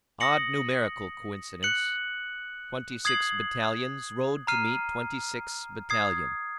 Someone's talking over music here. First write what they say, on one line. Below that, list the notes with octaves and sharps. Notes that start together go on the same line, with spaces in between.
Odd numerical coincidence,--twenty-six battalions rode to meet twenty-six battalions.
D#6 A#6 C#7 F#7
F#6 C#7 F#7
D#6 G#6 C7 F#7
A#5 F6 C7 D#7
D#6 G#6 C7